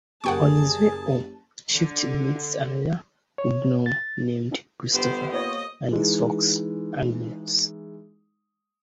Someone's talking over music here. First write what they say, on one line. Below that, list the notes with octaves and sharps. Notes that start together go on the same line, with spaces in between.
On his way home Swift meets another gnome named Christopher and his fox Agnes.
F#1 G4 G#4 A#4 F#5 G5 A5 C#6
D3
C#5
A6
G1 B3 G4 C5
A#3 F4 C5 C#5 D#5
E3 G#3 D#4